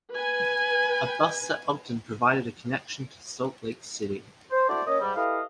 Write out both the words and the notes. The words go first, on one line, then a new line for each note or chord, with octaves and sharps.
A bus at Ogden provided a connection to Salt Lake City.
B4 G#5
C5
D4 E4 F#4 A4 C5 D5
A#3 C#4 D#5
G#2 G3
E4 G4 A4 B4 D#5 F5